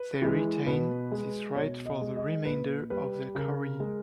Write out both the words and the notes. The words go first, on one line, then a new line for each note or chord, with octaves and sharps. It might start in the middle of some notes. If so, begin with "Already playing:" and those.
They retain this right for the remainder of their career.
Already playing: B4
E3 G#3
B2 B4
G#3
B2 C#5
D#5
G#3
D#5
A#2 B4
G3 B4
C#3 A#4
G#3